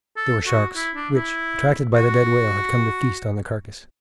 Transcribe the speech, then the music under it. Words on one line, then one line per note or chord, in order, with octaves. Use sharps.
They were sharks, which, attracted by the dead whale, had come to feast on the carcass.
A4
F#4
E4
D4
E4
F#4